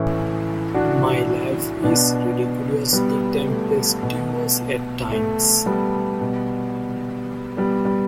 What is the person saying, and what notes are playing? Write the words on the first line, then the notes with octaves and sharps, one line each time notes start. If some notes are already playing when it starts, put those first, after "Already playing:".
My life is ridiculously tempestuous at times.
Already playing: A2 E3 C#4 E4
D4 F#4
B2 B3 D4
G3 B3
A3
B2
A3
G3 B3
B2
G3 B3
G3